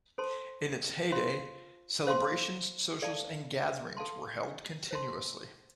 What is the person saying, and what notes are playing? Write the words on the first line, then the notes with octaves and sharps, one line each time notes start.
In its heyday celebrations, socials, and gatherings where held continuously.
A4 C5 A5 C6
F4 C5 F5 C6
C5 F5 C6
A4 D5 F5 A5
A4 F5 A5 C6
C5 A5 C6